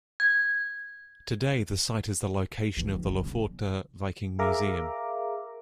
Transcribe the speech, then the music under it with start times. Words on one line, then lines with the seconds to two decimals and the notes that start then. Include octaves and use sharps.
Today the site is the location of the Lofotr Viking Museum.
0.20 G#6
2.77 D2 E3
2.90 D#3 F3
3.05 C#3 G3
3.25 C#3
4.39 G#4 A#4 E5 F5 A#5 D6